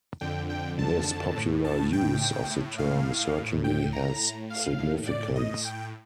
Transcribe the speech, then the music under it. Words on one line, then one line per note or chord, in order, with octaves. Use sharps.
This popular use of the term certainly has significance.
F2 D3 G5
G5
A5
A2
A5
G5
A2
F5
A2 G5
A#5
F5
A2
D5
D#5
G5